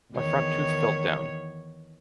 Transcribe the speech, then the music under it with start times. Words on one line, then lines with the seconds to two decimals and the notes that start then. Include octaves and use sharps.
My front tooth felt down.
0.14 E2 D#3 C#5